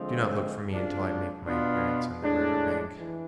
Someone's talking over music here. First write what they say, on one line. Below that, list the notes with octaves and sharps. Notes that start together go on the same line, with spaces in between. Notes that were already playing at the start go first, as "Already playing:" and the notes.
Do not look for me until I make my appearance on the river-bank.
Already playing: D3 F3 G#3 C4
C3 G#3 D4 F4
B2 B3 D4 F4
A2 G#3 D4
E3